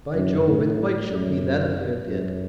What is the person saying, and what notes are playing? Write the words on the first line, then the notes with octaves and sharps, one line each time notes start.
By Jove! it quite shook me, that affair did.
F#2
A2
F#2
F#2